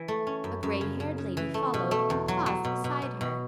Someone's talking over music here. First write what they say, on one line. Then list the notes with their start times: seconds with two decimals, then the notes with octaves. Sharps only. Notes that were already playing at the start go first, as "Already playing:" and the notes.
A gray-haired lady followed, and paused beside her.
Already playing: E3
0.08 A3
0.27 C#4
0.44 F#2
0.63 F#2
0.81 C#3
1.00 C#3
1.18 C#3
1.37 E3
1.54 A3
1.74 B2
1.91 A3
2.10 E2
2.28 F#3
2.46 F#3
2.65 B2
2.84 B2
3.02 B2
3.21 B2